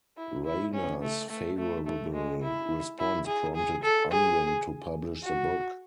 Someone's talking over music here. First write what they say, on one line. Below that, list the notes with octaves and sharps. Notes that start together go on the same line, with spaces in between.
Rayner's favourable response prompted Unwin to publish the book.
E4
E4
C#4
A3
A3
A3
A3
G#3
E4
E4
G#4
G#4
A4
G#4
F#4